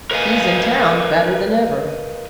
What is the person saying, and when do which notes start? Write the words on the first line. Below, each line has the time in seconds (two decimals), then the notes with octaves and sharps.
He's in town, fatter than ever.
0.11 A#4 B4 D#5 F5 G#5